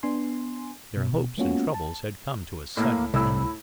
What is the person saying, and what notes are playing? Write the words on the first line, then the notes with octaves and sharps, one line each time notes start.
Their hopes and troubles had come to a sudden end.
B3 D4 G#5 C6
B2
G#3 A#3 B3 C#4 F4 F#4
A5
A2 A#3
C2 A2 E4 E6